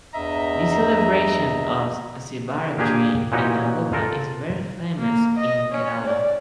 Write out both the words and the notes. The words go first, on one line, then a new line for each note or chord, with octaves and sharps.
The celebration of Sivarathri in Aluva is very famous in Kerala.
E2 G2 D#5 E5 A#5
A#2 A#3 D4 G4 G#4
A#2 E3 C#4 D#4 F#4 G4
F4 A4 A#4
A#3
D#5
C#4
D5